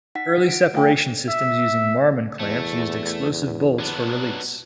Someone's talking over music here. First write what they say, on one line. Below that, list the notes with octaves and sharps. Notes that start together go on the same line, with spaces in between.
Early separation systems using Marman clamps used explosive bolts for release.
D#4 F#5 B6
F#5 D7
A3 F5 G5 G#5
E5
E2 A3
F#3 B3 D4